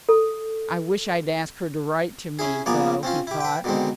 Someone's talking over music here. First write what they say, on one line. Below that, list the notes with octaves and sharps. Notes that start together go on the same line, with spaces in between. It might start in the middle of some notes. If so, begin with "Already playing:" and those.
"I wish I'd asked her to write to me, though," he thought.
A4
C#4 E4 G#4
A#1 F3 A#3 B3 D5 G#5
C4 C#4 F4
E4 G4
B4 G5
B2 D3 D#3 G#3 C4